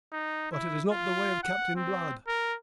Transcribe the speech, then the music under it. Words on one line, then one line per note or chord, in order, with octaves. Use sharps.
But it is not the way of Captain Blood.
D#4
E4
F4
F#5
C4
A#4